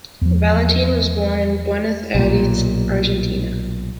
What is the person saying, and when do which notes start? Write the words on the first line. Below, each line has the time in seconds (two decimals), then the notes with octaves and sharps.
Valentin was born in Buenos Aires, Argentina.
0.21 E2 F3
2.15 B1 A#2